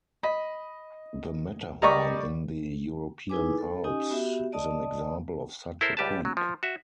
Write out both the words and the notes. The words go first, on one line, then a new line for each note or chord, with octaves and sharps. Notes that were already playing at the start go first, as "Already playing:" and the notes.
The Matterhorn in the European Alps is an example of such a peak.
D#5 B5
G3 A#4 D5 D#5 B5 C#6
D#4 E4 G#4 B4 G#5 D6
A4
C#4 D#4 G4 D#5 G#5 D#6
B3 F#4 G4 E5
D5 D#5 A5 D#6
E4 A4 A#4 C5
C#2 G3 G4 B4 A5
F#3
F3
F#4 E5